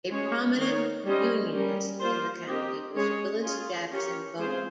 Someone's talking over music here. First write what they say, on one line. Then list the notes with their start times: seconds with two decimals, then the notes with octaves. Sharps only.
A prominent Unionist in the county was Willis Jackson Bone.
0.10 G#3 C#4 G#4 C#5
0.57 D#3 A#3 D#4 A#4 C#5
1.05 G3 C#4 G4 C5 D#5
1.53 G3 C#4 G4 A#4
2.00 A#3 F4 C5
2.47 C4 G4 A#4 D#5
2.95 G#3 C#4 G#4 C#5
3.43 C#4 F4 G#4
3.90 C#4 G4 A#4 C#5
4.38 G#3 C4 F4 G#4 C5